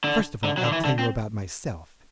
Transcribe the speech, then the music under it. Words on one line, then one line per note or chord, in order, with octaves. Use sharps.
First of all I'll tell you about myself.
D3
D3
F#3
D3
E3
D3
C4